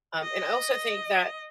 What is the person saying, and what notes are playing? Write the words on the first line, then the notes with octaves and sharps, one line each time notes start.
um, and I also think that,
D#5